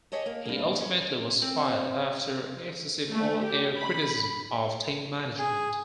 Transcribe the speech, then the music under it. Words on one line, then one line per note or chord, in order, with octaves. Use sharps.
He ultimately was fired after excessive on-air criticism of team management.
G4 G#4 C#5 D#5 A5
A#3
G2 A#3
C#4
C4
A3
G4
B5
G#4